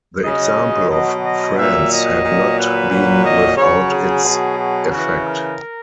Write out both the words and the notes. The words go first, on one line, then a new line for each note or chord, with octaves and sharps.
The example of France had not been without its effect.
C#3 F#3 D#5
B2 F#3 D#5
D#5
A#2 F#3 E5
D#5
A#2 F#3
B4
A#2 F#3
D#5
C#3 F#3 C#5
G#4
B2 F#3
G#4
C#3 E3 F#4
A#4